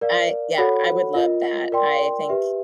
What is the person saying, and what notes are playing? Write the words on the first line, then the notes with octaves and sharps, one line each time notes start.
uh, yeah, I would love that. I think,
A#4 D5 F5
F#4 A4 C#5 F#5 B5
F4 A#4 D#5
A#4 D5 G5 C6
G4 B4 E5